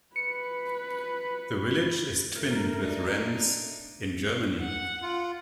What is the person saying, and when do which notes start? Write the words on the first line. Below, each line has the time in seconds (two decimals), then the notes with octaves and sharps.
The village is twinned with Rhens, in Germany.
0.16 B4 C#7
2.36 A3 A#4
2.79 D4 D#4
4.61 F#5
5.02 F4